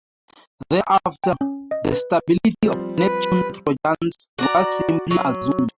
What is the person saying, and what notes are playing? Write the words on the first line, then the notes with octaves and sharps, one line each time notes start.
Thereafter, the stability of Neptune trojans was simply assumed.
G5
C#4
D#5
B4
F3 G3 C4
B4
F#4 D5 A#5
F#3